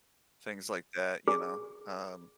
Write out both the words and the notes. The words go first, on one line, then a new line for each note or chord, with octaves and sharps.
things like that, you know, um,
G#4